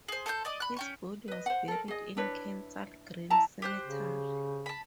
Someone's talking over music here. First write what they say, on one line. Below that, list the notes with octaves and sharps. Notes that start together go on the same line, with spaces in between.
His body was buried in Kensal Green Cemetery.
G#4 C5
A4 C5 D#6 G6
D5 D#5 D6
B5 F#6
C#4 G5 C#6
B4 D#5
C5 F#5
A4 A#4
G#4 D#5
D4 E4 B4 C#5
E4 A5 A#5
G4 C5 F#6
C#3
A5 B5